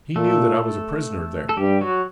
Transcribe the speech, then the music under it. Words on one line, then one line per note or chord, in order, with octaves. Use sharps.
He knew that I was a prisoner there.
A#2 A3 A4
A4
G2 G3 G4
F#3 F#4